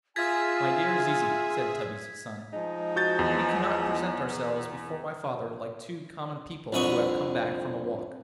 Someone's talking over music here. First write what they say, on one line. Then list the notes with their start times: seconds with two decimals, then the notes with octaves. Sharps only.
'My dear Zizi,' said Tubby's son, 'we cannot present ourselves before my father like two common people who have come back from a walk.
0.16 F4 G#4 E5 G#5 G#6 A6 B6
2.53 F3 G#3 D#4
2.96 F#4 G6 A6
3.19 E2
6.73 C2 F2 D3 E5 C#6 D#6